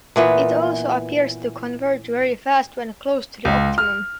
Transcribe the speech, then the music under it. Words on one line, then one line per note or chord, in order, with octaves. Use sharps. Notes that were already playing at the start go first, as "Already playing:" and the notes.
It also appears to converge very fast when close to the optimum.
A#2 E3 B3
C#2
F6